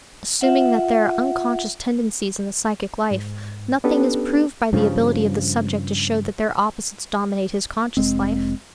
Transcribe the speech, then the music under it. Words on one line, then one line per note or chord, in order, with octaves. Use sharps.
Assuming that there are unconscious tendencies in the psychic life, nothing is proved by the ability of the subject to show that their opposites dominate his conscious life.
F4 E5 F#5
G#2
B3 C#4 D4 G4 A4 B4
G2 C#3 F3
F1 G#3 C4